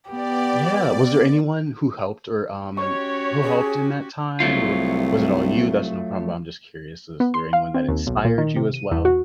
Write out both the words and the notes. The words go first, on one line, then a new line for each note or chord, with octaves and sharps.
Yeah. Was there anyone who helped or, um who helped in that time, or was it all you? That's no problem, but I'm just curious, is there anyone that inspired you as well?
B3 G4 D5
C#4 F#4 G4 C#5 C#6
G#4
C2 F#3 A3 F4
B3
C6
F5
C4
D#2
B1
A#2
D#3
C3
D#7
E2
F#4